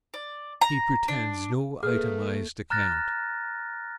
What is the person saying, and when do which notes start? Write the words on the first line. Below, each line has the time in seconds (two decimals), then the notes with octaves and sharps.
He pretends no itemised account.
0.14 D5
0.61 A#5
1.08 D4
1.83 A3 A#3 G#4 B4 F6
2.70 A#5 F6 F#6 A6 A#6